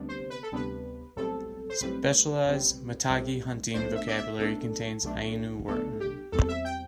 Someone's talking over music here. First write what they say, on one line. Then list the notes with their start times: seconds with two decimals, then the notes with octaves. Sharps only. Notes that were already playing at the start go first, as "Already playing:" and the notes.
Specialized Matagi hunting vocabulary contains Ainu words.
Already playing: D2 C3 G3 B3 D4
0.09 C5
0.30 B4
0.43 A4
0.52 D2 C3 G3 B3 D4 B4
1.16 B1 A2 G3 C4 A4
1.70 C5
1.81 B1 A2 G3 C4 B4
2.45 B1 A2 G3 C4
3.09 B1 A2 G3 C4
3.74 B1 B2 A3 D4 C5
3.95 E5
4.08 D5
4.17 E5
4.39 B1 B2 A3 D4 A4
5.03 B1 B2 A3 D4
5.68 B1 B2 A3 D4 A4
6.00 G4
6.32 E2 B2 G3 C4 A4
6.48 E5
6.65 G5